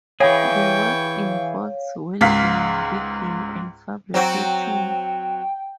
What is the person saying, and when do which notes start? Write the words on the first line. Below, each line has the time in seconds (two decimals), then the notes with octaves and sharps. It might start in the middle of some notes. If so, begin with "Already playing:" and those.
The work involves welding, rigging and fabricating.
0.20 E3 G#4 C#5 F5 G5 C#6
2.21 C#2 G#2 F5 B6
4.14 F#3 C4 F#4 G5